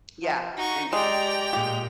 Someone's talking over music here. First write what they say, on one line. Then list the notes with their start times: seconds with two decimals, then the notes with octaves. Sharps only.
Yeah, and
0.22 F3
0.57 D#4 F#4 C#6
0.93 G#3 G4 D5 G5 A#5 F7
1.53 A#2 G#3 G4